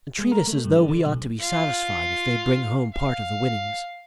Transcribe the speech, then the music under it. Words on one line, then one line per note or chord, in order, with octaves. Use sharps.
And treat us as though we ought to be satisfied if they bring home part of the winnings.
G#3
A#4
A3
G2
D3
D3
B1
F4 F5
F5